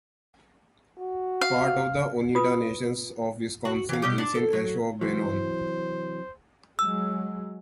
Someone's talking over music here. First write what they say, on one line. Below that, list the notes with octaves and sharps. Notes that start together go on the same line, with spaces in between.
Part of the Oneida Nation of Wisconsin is in Ashwaubenon.
F#4
F5
F4 B4 D#6
F#4
E3 F5
B2 G3 G4
D4
A4
F#3
C3 E3 F#3 C5
F#3 G#3 E6